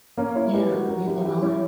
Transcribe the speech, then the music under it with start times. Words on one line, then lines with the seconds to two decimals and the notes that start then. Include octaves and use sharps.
Yeah, neither have I.
0.17 A#3 C#4
0.35 C#4 E4
0.53 G4 B4
0.71 F#4 A#4
0.89 F#4 A#4
1.07 E4 G4
1.25 E4 G4
1.42 C#4 E4